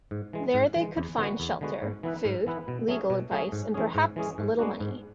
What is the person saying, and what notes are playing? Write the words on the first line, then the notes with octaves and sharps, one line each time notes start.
There they could find shelter, food, legal advice and perhaps a little money.
G#2
E3 G#3
G#2
E3 G#3
E2
D3 G#3 B3 F#4
E2
D3 G#3 B3 F#4
G#2
E3 B3 E4 B4
G#2
E3 B3 E4 B4
B2
F#3 A3 C#4 G#4
B2
F#3 A3 C#4 G#4
G#2
E3 G#3 C#4 G#4
G#2
E3 G#3 C#4 G#4
G#2
G#3 B3 D4 F#4
G#2